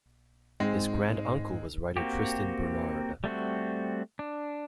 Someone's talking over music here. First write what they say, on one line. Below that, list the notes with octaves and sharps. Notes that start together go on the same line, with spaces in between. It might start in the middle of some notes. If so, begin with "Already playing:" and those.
His grand-uncle was writer Tristan Bernard.
G#2 G#3 C4
A#3 C4 F#4 G4
G3 A3 C4 F#4
D4